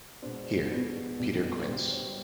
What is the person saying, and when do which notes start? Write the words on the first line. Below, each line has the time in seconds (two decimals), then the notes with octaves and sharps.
Here, Peter Quince.
0.22 B2 G#3 B3 D4 C5
0.71 B2 G#3 B3 D4 B4
1.20 B2 G3 B3 D4
1.68 B2 G3 B3 D4 C5
1.93 C#5